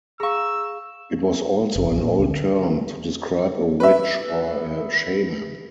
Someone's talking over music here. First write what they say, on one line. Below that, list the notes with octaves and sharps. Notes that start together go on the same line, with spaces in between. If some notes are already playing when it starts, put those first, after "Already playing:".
It was also an old term to describe a witch or a shaman.
G#4 F5 A#5 C#6 E6
G#3
F1
A1
A#2
C#2
D3
B4 E5